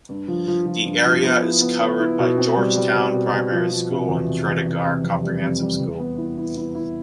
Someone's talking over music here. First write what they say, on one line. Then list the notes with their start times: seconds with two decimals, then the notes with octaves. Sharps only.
The area is covered by Georgetown Primary School and Tredegar Comprehensive School.
0.09 G2
0.28 F3
0.48 F3
0.66 F3
0.86 G2
1.05 F3
1.23 B3
1.42 E4
1.61 B3
1.80 B3
2.00 E4
2.19 B2
2.38 C4
2.57 G3
2.76 G3
2.95 B2
3.14 B2
3.33 B2
3.52 F3
3.71 F3
3.90 C3
4.09 E2
4.28 C3
4.47 E2
4.66 C3
4.85 C3
5.04 F2
5.23 G3
5.43 F2
5.62 G3
5.80 E2
5.99 B3
6.18 E4
6.38 E4
6.57 E4
6.75 E4